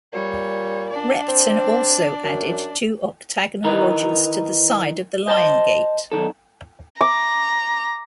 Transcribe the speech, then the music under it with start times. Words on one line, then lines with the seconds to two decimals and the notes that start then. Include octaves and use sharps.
Repton also added two octagonal lodges to the side of the Lion Gate.
0.13 A#2 G3 C#5
0.90 D4 D5
1.28 C4
2.23 F#2
3.64 D#3 E3 D#4 A#4 B4
5.28 C5 D#5 A5 B5 C6
6.12 B1 D#3 A4
7.01 A#5 D6